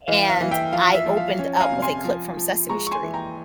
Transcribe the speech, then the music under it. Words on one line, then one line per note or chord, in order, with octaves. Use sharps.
and I opened up with a clip from Sesame Street.
E3 F5
F5
E3
E5 G5
F3 F5
E5
F3
F5
C#4
A#5
F5 G#5
C3
G#5 C6
F3
F3
G#3 A#5 C#6
C#6
G#5 C6
E3
G5 A#5